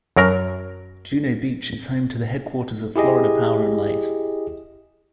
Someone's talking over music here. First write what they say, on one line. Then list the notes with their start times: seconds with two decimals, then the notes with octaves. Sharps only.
Juno Beach is home to the headquarters of Florida Power and Light.
0.17 F#2 F#3 A#4 A#5
2.96 E4 G4 G#4 D#5